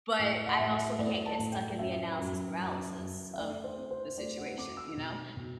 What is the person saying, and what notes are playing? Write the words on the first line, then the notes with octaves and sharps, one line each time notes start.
but I also can't get stuck in the analysis paralysis of the situation, you know,
A2 G5
F#5
A2
E5
A2 D5
A5
A2
G5
F#2 E5
F#2
F#2
F#2
E5
A3 D5
C5
C4
C5
A3 D5
F#5
C4 D6
E6
B2
B2